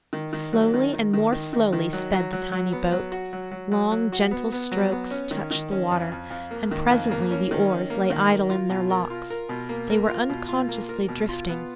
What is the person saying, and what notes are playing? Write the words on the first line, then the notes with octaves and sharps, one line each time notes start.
Slowly and more slowly sped the tiny boat; long gentle strokes touched the water; and presently the oars lay idle in their locks,--they were unconsciously drifting.
D#3
D#3
F#3
D#3
D#3
D#3
D#3
D#3
D#3
F#3
F#3
F#3
F#3
B3
F#3
F#4
F#3
F#3
F#3
F#3
F#4
B3
B3
F#3
B3
C#4
D#3
D#3
C#4
F2
F2
F2
A#3
D#3
F2
A#3
C#4
D#3
C#4
A#3
D#3
A#4
F4
B2
A#4
F4
A#4
B2
A#3
A#4
F4
B2
F4
A#3
A#4
B2
F4
B3